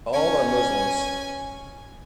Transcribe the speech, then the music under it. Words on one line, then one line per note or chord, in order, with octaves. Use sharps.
All are Muslims.
C#4 G#5